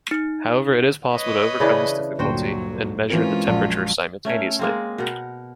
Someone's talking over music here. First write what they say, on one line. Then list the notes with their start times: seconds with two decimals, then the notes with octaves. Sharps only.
However, it is possible to overcome this difficulty and measure the temperature simultaneously.
0.11 D#4
1.13 B4 C#5 D#5
1.60 C#3 E3 D4
2.19 D2 G2 A#2 F#3 F#4 C5 G5
3.10 E3 G#3 C4 C#4 F4 A#4
3.47 A#1 F#2
4.25 A3 C#4 A#4 C#5
4.59 G#3 A#3 C4
4.98 B2 A#4 F#5 G5